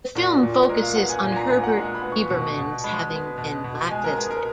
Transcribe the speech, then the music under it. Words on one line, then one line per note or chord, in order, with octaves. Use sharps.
The film focuses on Herbert Biberman's having been blacklisted.
A#2 F#4
A#2
G#3 A#4
F5
B3 F#5
G#5
A#2 G#5
A#5
A#2 G#5
F#5
G#3
B5
B3
C#6
B2 C#6
B2
G#3 B5
B3
B2
B2
G#3 G#5
A#4
B3 G#4
A#4